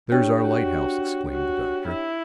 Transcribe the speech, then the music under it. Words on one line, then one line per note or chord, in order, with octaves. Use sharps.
"There's our lighthouse!" exclaimed the Doctor.
D4 G4 C#5 G5
F#4
F#4
E4